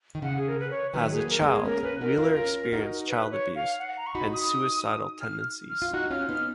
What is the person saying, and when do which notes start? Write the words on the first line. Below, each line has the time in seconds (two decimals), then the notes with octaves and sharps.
As a child, Wheeler experienced child abuse and suicidal tendencies.
0.15 D#3
0.22 C#3 F#5
0.36 G#4
0.48 A#4
0.59 B4
0.70 C#5
0.93 D#3 F#3 B4
1.11 G#4
1.17 F#3 A#3
1.29 A#4
1.41 G#3 B3
1.47 G#4
1.65 A#3 C#4 A#4
1.83 A#3 C#4 B4
2.01 D#4 F#4 A#4
2.18 C#4 F4 A#4
2.37 C#4 F4
2.72 D#4 F#4
3.08 B4
3.31 C#5
3.55 F5
3.79 F#5
3.97 A#5
4.07 C#6
4.15 D#4 F#4 B5
4.33 D#6
5.21 F6
5.70 F6
5.82 F4
5.93 D#4 F#4 F#6
6.10 C#4 F4 F6
6.29 B3 D#4 F6